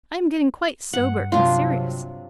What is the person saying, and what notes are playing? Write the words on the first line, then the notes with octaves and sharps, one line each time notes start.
I am getting quite sober and serious.
G2 F#5
C3 F#3 D4 F4